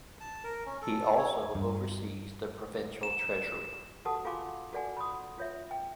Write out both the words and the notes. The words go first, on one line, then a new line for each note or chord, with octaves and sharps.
He also oversees the Provincial Treasury.
A5
A#4
C#4
A4
C#5
G2
E7
F#4 G4 A4 F#5 A5 D#6
F4 G#4 F5 G#5 C6 D6
F#4 A4 D5 F#5 G#5
B5 C6 D#6
F4 C#5 E5
G5